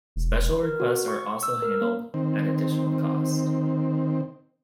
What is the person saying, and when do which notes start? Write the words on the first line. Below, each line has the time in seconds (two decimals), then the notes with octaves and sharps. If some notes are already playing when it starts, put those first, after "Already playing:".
Special requests are also handled, at additional cost.
0.16 E1
0.63 A#4
0.80 F#4
1.08 C#6
1.43 E6
1.62 A#4
1.81 A#3
2.14 D#3 C4